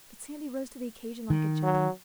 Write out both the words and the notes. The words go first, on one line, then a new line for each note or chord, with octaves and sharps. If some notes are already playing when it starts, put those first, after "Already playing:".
But Sandy rose to the occasion like a gentleman.
D#3
F#3